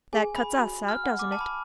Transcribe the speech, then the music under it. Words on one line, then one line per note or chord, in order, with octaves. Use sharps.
"That cuts us out, doesn't it?"
G#4 G#5
B5
F#4
F6
F#5
D6
A5
B5